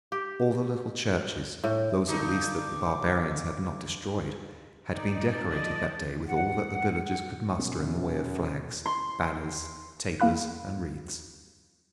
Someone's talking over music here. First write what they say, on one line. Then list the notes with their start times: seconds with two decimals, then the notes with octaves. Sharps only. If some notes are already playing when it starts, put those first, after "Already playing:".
All the little churches--those at least that the barbarians have not destroyed--had been decorated that day with all that the villages could muster in the way of flags, banners, tapers and wreaths.
0.12 G4
1.64 A2
2.07 G2 D3 D#4 D6
4.94 D#4 D5
5.31 C4 A5
5.51 F3 D4 D5 D#5
6.26 F#5
7.59 D#1 F#2 B2 B3
8.86 C6
10.20 A#3 E4 F5 B5 F#6